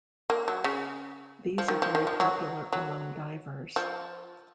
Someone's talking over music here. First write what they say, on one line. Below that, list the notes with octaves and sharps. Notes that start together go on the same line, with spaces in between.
These are very popular among divers.
A#3
F#3
C#3
F3
D#3
F3
D#3
F3
F#3
F#3
F3